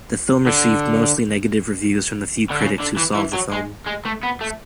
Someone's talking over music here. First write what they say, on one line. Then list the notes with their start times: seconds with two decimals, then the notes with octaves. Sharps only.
The film received mostly negative reviews from the few critics who saw the film.
0.47 D3
2.51 D3
2.62 C#3
2.80 D3
2.97 E3
3.15 E3
3.33 F#3
3.52 G#3
3.86 G#3
4.05 A3
4.23 B3
4.41 A3